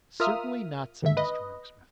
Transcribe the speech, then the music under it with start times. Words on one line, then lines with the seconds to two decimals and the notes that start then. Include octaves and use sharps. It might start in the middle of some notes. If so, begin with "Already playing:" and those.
Certainly not, said Mr Rokesmith.
0.20 F4 A#4 E5 D#6 F6
1.02 D#2 G#2 D3 E5
1.17 B4 D#5